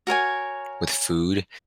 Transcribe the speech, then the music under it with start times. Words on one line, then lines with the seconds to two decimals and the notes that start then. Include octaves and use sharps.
with food,
0.07 F#4 A#4 C#5 G#5